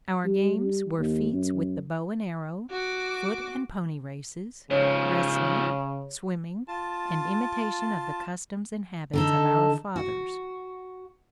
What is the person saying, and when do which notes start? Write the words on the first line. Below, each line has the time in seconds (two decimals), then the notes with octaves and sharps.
Our games were feats with the bow and arrow, foot and pony races, wrestling, swimming and imitation of the customs and habits of our fathers.
0.24 G3
0.56 G3
0.98 D#2
1.31 F#2
2.71 F#4 D6
4.71 G#2 C#3 F3 C#5
6.68 F4 A5
9.13 D3 D#4 A4
9.96 F#4